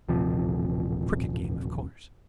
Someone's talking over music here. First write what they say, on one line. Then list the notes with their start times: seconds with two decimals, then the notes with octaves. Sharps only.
A crooked game, of course.
0.09 D#1 A1 C3 F3